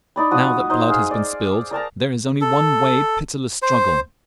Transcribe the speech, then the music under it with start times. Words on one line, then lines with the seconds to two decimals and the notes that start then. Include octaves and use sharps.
But now that blood has been spilled there is only one way--pitiless struggle.
0.16 D#4 D5 B5
0.31 F3 F#4 D#6
0.70 D#4 C5 D#5
0.90 G#4 F5
1.11 D5
1.71 A#4 D5 A5 A#5
2.41 A4
3.62 C5